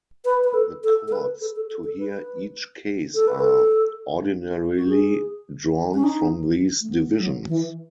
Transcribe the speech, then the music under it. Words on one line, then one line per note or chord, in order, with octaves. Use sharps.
The courts to hear each case are, ordinarily, drawn from these divisions.
B4
B4
A4
A4
A4
B4
A4
A4
A4
A4
B4
A4
B4
A4
F#4
G#4
C#4
D#4
A3
B3
F#3
E3